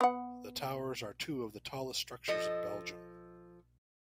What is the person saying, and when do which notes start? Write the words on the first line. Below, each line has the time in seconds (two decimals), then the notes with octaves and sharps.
The towers are two of the tallest structures in Belgium.
0.01 B3 F#5
2.28 F3 A4 D#5